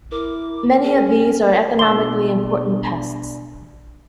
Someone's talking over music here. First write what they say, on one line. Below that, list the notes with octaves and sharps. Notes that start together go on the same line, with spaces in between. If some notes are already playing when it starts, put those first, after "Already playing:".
Many of these are economically important pests.
E4 A#4 D6
C#4 G#4
B2 D4 C6 D6 E6 G7